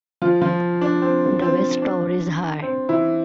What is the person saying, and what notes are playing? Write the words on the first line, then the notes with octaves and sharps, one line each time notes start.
The west tower is high.
F3 F4
F3 F4
D4
C4
C4
D4
C4
E3 E4